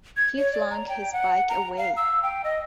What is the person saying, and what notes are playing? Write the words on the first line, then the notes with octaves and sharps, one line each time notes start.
He flung his bike away.
G#6
C#5
D5
A#5
G5
F#5
A#5
F5
E6
G5
D#5